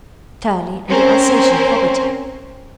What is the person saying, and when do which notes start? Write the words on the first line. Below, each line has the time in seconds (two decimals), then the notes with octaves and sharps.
Turley, and the Alsatian Foggerty.
0.89 C4 C#4 A#4 C5